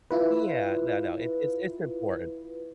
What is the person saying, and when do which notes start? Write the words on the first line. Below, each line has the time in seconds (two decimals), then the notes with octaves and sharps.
Yeah, no, no, it's it's it's important.
0.11 E4 F4 B4